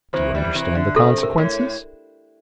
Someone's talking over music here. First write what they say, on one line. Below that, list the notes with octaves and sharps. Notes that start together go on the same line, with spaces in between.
"Do you understand the consequences?"
C3 E3 C5
E3 G3
C3 E3
D3
C3 A4
A#4
A2